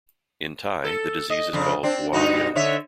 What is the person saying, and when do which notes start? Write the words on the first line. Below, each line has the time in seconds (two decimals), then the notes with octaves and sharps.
In Thai, the disease is called "Hua leung".
0.84 A4
1.30 D#5
1.53 F2 C#3 D4
1.83 C4 D4
2.13 G2 D#4 F#4
2.56 D3 C#5 E5